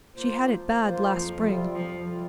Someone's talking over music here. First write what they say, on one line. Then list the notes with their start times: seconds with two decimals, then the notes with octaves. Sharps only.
She had it bad last spring.
0.16 A#3 F4 C5
0.48 F3
0.80 A#3 F4 C5
1.12 F2 F3
1.43 C3 G3 C4 F4
1.75 F2 F3
2.06 C3 G3 C4 F4